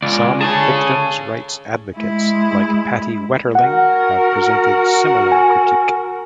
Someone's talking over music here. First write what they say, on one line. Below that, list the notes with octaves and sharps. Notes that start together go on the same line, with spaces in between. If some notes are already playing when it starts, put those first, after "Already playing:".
Some victims' rights advocates like Patty Wetterling have presented similar critique.
C#2 G#3 C#4 D5
D3 F4 G#4 C#5 A5
A4 G#5
G#3 E4
F#4 A#4 F#5
G#5